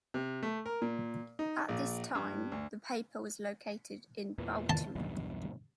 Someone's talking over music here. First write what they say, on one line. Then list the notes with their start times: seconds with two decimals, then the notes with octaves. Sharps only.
At this time, the paper was located in Baltimore.
0.14 C3
0.43 A3
0.66 A#4
0.82 A#2
1.39 D#4
1.69 A#1
2.15 G2
2.52 D2
4.38 E2 A#2 E3
4.70 A5
4.96 B1 E2 G2